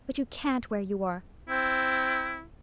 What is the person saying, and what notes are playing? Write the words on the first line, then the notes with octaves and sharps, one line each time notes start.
But you can't where you are.
C4 E4